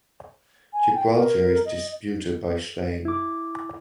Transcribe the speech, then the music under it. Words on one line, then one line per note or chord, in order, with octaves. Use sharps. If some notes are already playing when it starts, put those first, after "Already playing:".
Gibraltar is disputed by Spain.
G#5
G5
A#4
D#5
E4 D6